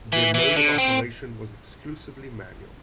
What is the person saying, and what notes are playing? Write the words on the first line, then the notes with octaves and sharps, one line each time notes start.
Their mode of operation was exclusively manual.
E3
E3
D3
C4